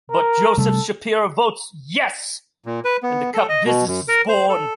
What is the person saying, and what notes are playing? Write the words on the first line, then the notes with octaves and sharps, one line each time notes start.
But Joseph Shapiro votes yes - and the cup business is born.
A#4
C3 G3 A3 A4
A#2
B4
B3
A4
D#5
B2
F#2
A#4
C5
A4